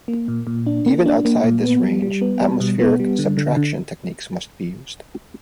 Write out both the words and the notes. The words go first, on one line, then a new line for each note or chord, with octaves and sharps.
Even outside this range, atmospheric subtraction techniques must be used.
A#3
A#2
A#2
D4
A#3
D4
A#3
A#2
B3
G3
G3
B3
G3
B2
B3
G3
D3
D3
D3